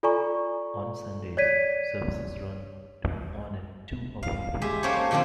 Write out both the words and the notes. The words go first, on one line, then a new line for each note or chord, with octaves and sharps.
On Sundays, services run to on a two-hourly frequency.
F4 A4 D5 G#5 A#5 C#6
C#5 D5 G#6 B6 D#7
F5
G#3 G4 E5
A3 A#3 C#4 D#4 C5 C#5
A#2 D3 F3 A#3 C4 F4